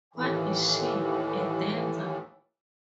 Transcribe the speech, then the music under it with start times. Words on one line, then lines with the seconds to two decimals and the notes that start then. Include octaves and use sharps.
What is she — a dancer?
0.16 D#2 A2 E3